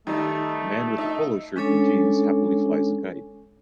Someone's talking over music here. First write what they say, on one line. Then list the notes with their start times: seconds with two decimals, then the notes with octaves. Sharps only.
A man with a polo shirt and jeans happily flies a kite.
0.07 D#3 G3 A3 D#4
0.98 D#4 D#5 E5
1.56 G#3 C#4 D4 A4 C#5 G#5